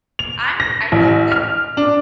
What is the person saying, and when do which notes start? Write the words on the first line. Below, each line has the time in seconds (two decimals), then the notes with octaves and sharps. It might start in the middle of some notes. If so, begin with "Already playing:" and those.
I'm I think that,
0.19 F7
0.60 A#6
0.92 A1
1.32 F6
1.77 D4